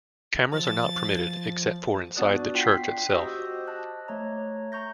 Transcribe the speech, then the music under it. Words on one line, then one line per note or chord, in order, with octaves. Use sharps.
Cameras are not permitted except for inside the church itself.
F3 A6
B3 D4 F#4 D5 D#6 F#6
F4 G5 B6 C7
F#4 G4 C5 D#5 D#6 E6
D#5 A5 F#6
A3 C#5 A#5
A#5 C#6 G6 A#6